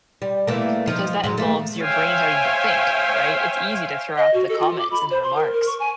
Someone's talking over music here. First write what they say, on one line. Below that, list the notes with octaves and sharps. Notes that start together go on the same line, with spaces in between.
because that involves your brain starting to think, right? It's easy to throw out the comments and the remarks,
G3
E3 A3 A#3
F3 D#4
G#2 F#3 C4
A3 A#3
C5 C#5 E5 F5 G5 G#5
D#5
F#4
A4
F4
D6
B5
C5
C6
A#4
A#4
C#6
G#5